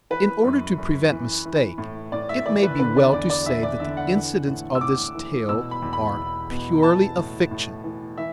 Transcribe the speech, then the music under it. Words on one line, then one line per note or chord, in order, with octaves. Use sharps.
In order to prevent mistake, it may be well to say that the incidents of this tale are purely a fiction.
E3 B4
F#2
F#2
E3
E3
A2
A2 D5
E5
E3 D5
B4
D3 B4
D5
E2 D5
D5
E2 E5
D5
D3 E5
F#5
E3
A2
E6
A2 D6
E3
B2 E6
B5
E2
B5
E2
B2
E3 A5
A2
A2
E3
E3 E5